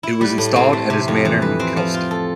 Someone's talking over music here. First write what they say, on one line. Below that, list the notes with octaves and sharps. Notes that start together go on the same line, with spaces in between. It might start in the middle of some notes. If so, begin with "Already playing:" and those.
It was installed at his manor in Kelston.
E4
G3
A2
C4
A3
C3
F2
E3
B4
C4
F3
F4
A4